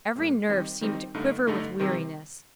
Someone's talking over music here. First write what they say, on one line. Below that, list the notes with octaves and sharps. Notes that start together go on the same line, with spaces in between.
Every nerve seemed to quiver with weariness.
A2 G3 A#3
D#3 G3 C4 D#4
D#3 G3 C4 D#4
G2 D3 A3 D#4
G2 D3 A3 D#4
C3 D#3 G3 C4